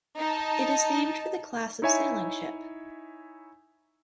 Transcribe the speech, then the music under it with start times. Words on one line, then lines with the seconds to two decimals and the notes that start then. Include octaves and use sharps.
It is named for the class of sailing ship.
0.19 D#4 A5
1.82 D#4 E4 C#5 E5 G#5